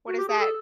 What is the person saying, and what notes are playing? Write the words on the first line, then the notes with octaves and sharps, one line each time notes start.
what is that?
F#4
G4
G#4
A4